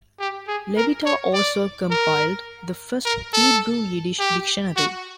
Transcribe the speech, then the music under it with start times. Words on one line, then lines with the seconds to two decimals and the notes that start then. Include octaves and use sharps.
Levita also compiled the first Hebrew-Yiddish dictionary.
0.20 G4
0.48 G#4
0.77 A#4
1.06 C#5
1.34 D5
1.91 A#4
3.05 A#4
3.33 A4
4.20 G4
4.77 F#4